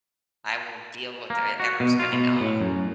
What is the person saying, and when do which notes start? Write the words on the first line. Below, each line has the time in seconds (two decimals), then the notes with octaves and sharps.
I will deal with, er, 'ever's coming on
1.30 A#3
1.60 F#4
1.80 B2
1.99 F4
2.13 B2
2.41 A2
2.61 F#2